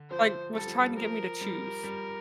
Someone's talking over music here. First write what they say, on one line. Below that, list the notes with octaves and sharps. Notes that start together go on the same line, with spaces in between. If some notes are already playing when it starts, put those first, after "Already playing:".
like was trying to get me to choose.
Already playing: D3
F3 C5
G3 A4
F3
G3
F3 A#4
G3
G3